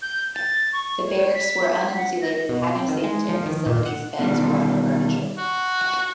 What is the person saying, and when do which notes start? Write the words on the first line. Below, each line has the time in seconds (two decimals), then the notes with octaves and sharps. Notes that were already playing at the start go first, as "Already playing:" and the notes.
The barracks were uninsulated, had no sanitary facilities, beds, or other furniture.
0.02 G6
0.35 A6
0.73 C#6
1.06 C#5
1.34 B6
1.97 F#5
2.21 A#6
2.49 B2
2.75 C4
2.88 D#3
3.04 G#3
3.29 F3
3.46 D#3
3.66 A#2
3.86 F#5
4.19 B2 D#3 G3
5.37 F#4